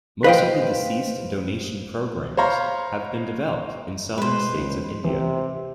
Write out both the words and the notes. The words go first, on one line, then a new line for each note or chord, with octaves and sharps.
Most of the deceased donation programmes have been developed in southern states of India.
B4 C5 D#5 F5 G5
C5 C#5 F5 A#5 B5
G#3 B4 C5
C#2
C3 E3